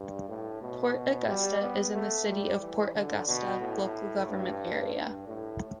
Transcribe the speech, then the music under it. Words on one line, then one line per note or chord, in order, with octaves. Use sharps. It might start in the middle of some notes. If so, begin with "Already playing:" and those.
Port Augusta is in the City of Port Augusta local government area.
Already playing: G2
A2
B2
G3
B3
A3
G3
E3
D3
B2
A2
G2
G2
A2